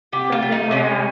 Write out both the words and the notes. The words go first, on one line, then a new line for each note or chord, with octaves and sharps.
something where
C3 G4
F4
C3
D#4
C3 C#4